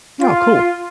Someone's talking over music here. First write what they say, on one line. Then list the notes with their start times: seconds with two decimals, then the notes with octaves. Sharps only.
Oh, cool.
0.20 F4